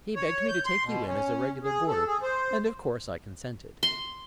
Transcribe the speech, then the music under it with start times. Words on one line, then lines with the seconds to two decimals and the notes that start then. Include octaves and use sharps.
He begged me to take you in as a regular boarder and of course I consented.
0.16 C#5
0.48 G6
0.65 C6
0.84 B2
1.07 C#4
1.63 G#4
1.88 A4
2.07 G#4
2.22 C5
3.83 C6